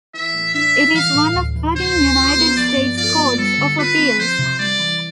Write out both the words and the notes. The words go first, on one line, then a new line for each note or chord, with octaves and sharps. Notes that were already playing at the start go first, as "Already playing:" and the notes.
It is one of thirteen United States courts of appeals.
E3 E5
A2
D4 E5
G3
E3 F5
A2
D2
E3
C3 C5
D2
F4
B3
F3 D5
G2
F4 D5
B3
G3 A4
D3
F4 B4
C4
F3 C5
C3
G3 D5
E3